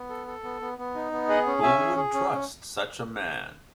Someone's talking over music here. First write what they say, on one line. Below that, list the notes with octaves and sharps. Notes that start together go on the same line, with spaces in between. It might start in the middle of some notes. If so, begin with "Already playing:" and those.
Who would trust such a man?
Already playing: B3
A4
A4
B3
B3
B3
D#4
B3
G#4 D#5 F#5
C#4
C#4 E5 G#5
G#4
G#4
C#4
C#4